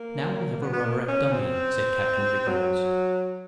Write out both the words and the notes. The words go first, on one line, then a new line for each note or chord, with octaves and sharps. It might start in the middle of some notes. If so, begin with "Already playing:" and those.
"Now we'll have a rubber at dummy," said Captain Vignolles.
Already playing: A#3
B3
B3
A#3
C#4
C4
F#3